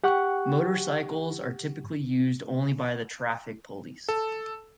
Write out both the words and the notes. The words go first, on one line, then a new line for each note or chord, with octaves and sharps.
Motorcycles are typically used only by the traffic police.
G4 F#5 G5 C#6 F#6
A4